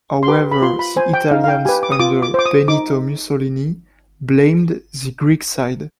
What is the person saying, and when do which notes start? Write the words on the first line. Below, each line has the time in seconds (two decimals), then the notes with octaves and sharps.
However, the Italians under Benito Mussolini, blamed the Greek side.
0.23 C6
0.28 G4 B4 D6
0.52 B5
0.62 F4 C6
0.79 B5
0.97 C5 G#5
1.13 G5
1.31 D#4 F5
1.44 F5
1.48 G5
1.65 G4 B4 G#5
1.83 D6
1.92 D#6
2.00 F4 D6
2.22 D6
2.34 C5 D6
2.46 D#6
2.68 D#4 D6